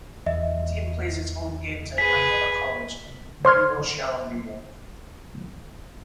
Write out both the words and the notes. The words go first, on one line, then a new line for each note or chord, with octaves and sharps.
The team plays its home games at Iona College in New Rochelle, New York.
E2 D#5 E5
G#4 B4 B6
C5 C6 F6 G#6